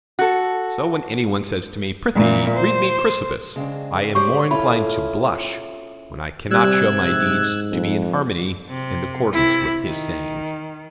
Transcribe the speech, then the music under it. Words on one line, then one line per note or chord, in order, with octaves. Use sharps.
So when any one says to me, Prithee, read me Chrysippus, I am more inclined to blush, when I cannot show my deeds to be in harmony and accordance with his sayings.
F#4 A4
A#2 E3
C5
C#3 G#3 C4 D4
C#4 G4 C5 D5 C#6
C#4 E4 F4 A4 B5
C3 G3 E6 F#6 G#6
G#2
F2
C3
C3 E4
D#3